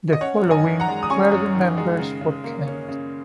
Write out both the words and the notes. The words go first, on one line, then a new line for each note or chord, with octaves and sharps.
The following were the members for Kent.
D#5
C#4 C#5 F#5
F#2
D#5 G#5
D#3
F#5 A#5
G#3
D#6
C#4 G#5 C#6
F#2
D#3
G#3
C#3
C#3
A#3
C#4
C#3